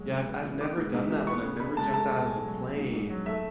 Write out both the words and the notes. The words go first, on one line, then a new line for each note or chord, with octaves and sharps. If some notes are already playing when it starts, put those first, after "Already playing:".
yeah, I've I've never done that one, I've never jumped out of a plane,
Already playing: F#3 G#3
C#3
B3
E3
B3 D6
G#2
G#2
E3
B3 C#6
C#3
C#3 B5
G#3 A5
A3 A5
B2
B2 G#5
F#3
B3
G#2
G#2
F#3
A3 E5